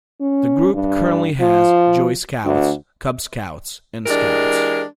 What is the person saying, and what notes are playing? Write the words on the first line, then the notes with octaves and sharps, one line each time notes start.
The group currently has Joey Scouts, Cub Scouts and Scouts.
C#4
G2
F3
D2
E3 G#3 D4 G4 A#4